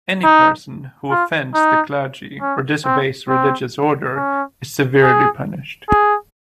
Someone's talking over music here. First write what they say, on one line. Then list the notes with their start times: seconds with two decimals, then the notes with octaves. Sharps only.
Any person who offends the clergy or disobeys religious order is severely punished.
0.24 D#4
1.11 F4
1.54 D#4
2.41 C#4
2.85 C4
3.29 C4
4.16 C#4
5.03 G#4
5.89 G#4